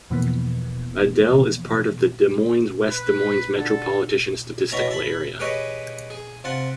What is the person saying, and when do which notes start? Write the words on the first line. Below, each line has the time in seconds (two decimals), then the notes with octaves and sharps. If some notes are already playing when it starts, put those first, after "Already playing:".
Adel is part of the Des Moines-West Des Moines Metropolitan Statistical Area.
0.10 E2 B2 E3 F3 A#3 B3
2.88 B4
3.57 D3 A4
4.72 B2 C#4 E4 E5 A5 A#5
4.91 E5 A5 B5
5.40 G4 G#4 B4 C#5 D#5
6.10 G#4
6.44 C3 F4 F#5 A5